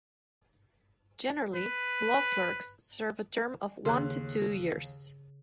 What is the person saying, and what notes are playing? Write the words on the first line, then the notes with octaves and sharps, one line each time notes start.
Generally, law clerks serve a term of one to two years.
B4
D#2 C#3 G#4 C6 F#6